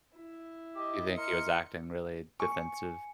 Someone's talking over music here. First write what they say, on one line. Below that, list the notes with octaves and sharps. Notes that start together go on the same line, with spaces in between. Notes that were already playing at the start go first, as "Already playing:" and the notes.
Do you think he was acting really defensive?
E4
G4 D#5
A#4 C6 C#7
G#5 C#6
C#7